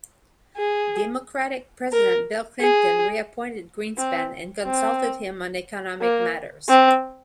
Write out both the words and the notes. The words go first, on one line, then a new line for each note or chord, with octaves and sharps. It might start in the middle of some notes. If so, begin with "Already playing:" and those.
Democratic president Bill Clinton reappointed Greenspan, and consulted him on economic matters.
G#4
A#4
G#4
C4
C4
A#3
C4